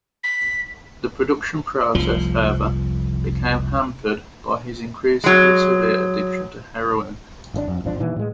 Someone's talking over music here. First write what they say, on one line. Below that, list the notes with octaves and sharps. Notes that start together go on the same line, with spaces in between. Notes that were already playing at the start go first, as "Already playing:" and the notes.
The production process, however, became hampered by his increasingly severe addiction to heroin.
B6
F1 C2 F3
F#3 G#3
G#1 E3 D4
F2
D1 G#1 F3 D4
G2 A#2 D#3 E3
A2 G#3